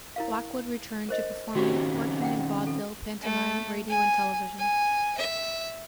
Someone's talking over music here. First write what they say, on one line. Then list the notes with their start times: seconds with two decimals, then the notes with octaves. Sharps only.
Lockwood returned to performing, working in vaudeville, pantomime, radio and television.
0.16 E4 A#4 F5
1.09 A#4 C5 D#5
1.55 D#3 C4 C#4 F#4 G4
2.22 F#5 G5
2.67 A4
3.22 A3
3.89 G#5
4.58 G#5
5.18 E5